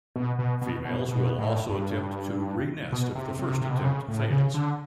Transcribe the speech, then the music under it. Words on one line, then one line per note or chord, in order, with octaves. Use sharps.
Females will also attempt to renest if the first attempt fails.
B2
B2
B2
B2
B2
A2
G2
B2
C3
C3
C3
B2
C3
C#3
A2
C#3
D3